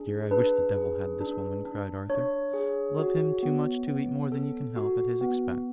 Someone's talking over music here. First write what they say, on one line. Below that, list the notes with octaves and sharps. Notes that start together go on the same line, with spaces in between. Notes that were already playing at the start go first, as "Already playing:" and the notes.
'Oh, dear, I wish the devil had this woman!' cried Arthur: 'love him too much to eat more than you can help at his expense.'
Already playing: D4 G#4
D4 B4
G#4
D4
D4
D4 C#5
G#4
F#4
B3
B3
A4
F#4
B3